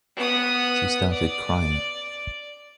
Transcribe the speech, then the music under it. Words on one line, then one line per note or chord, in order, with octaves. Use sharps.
She started crying.
B3 D#6
D5